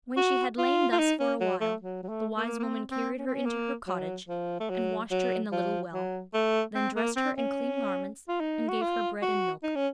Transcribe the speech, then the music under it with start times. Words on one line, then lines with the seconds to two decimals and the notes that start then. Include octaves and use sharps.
When she had lain thus for a while, the wise woman carried her into her cottage, and washed her in the little well; then dressed her in clean garments, and gave her bread and milk.
0.17 F#4
0.58 F4
0.92 F4
0.99 D#4
1.20 C#4
1.40 F#3
1.60 A3
1.82 F#3
2.03 F#3
2.09 A3
2.37 A#3
2.59 A#3
2.63 C4
2.91 C4
3.19 C#4
3.26 C4
3.34 C#4
3.45 A#3
3.87 F#3
4.28 F3
4.60 A3
4.70 F#3
5.11 F#3
5.52 F3
5.93 F#3
6.34 A3
6.75 C4
6.96 A#3
7.16 C4
7.37 C#4
8.28 F4
8.40 D#4
8.68 F#4
8.81 F4
9.22 F#4
9.63 D#4
9.76 C#4